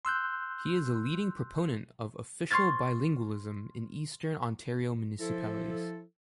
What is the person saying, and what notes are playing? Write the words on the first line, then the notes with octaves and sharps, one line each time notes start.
He is a leading proponent of official bilingualism in Eastern Ontario municipalities.
C6 E6 F#6 G6
C6 C#6 F6 G#6 A6
F3 E4 A4